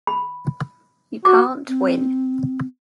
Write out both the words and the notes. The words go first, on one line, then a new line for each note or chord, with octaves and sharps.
You can't win.
B5
F#4 D6
C4